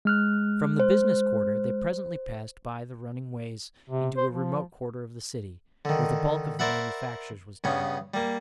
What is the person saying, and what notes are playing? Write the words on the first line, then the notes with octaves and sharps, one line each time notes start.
From the Business Quarter they presently passed by the running ways into a remote quarter of the city, where the bulk of the manufactures was done.
G#3 F6 F#6
C5
C3
C5
F3
D3 D#3
A#4 C5 D5 E5 F#5 B5
G2 C#3 B3 C#4
G3 A#3